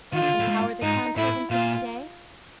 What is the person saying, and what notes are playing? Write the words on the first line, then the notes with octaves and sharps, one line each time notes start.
And how are the crown servants of to-day?
D#3 F4
D3
A2
G#2
G#2 D#4
A2 E4
A#2 F4